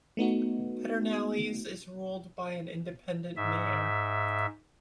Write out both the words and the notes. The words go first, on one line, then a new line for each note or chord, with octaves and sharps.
Pedernales is ruled by an independent mayor.
A3 B3 D#4 F#4
G#2 E5